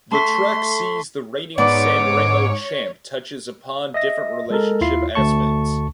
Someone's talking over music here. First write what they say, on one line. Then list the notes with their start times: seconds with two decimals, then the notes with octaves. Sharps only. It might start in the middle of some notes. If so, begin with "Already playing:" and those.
The track sees the reigning Sanremo champ touches upon different relationship aspects.
0.12 A3 A5 C6 C#6 B6
1.58 G#2 B3 C#5 D5 D6
3.94 D#5 E5 A#6
4.50 G#3 A4 A#4
4.81 D#2 E4 F4 C7
5.15 D2 A3 A5 C#6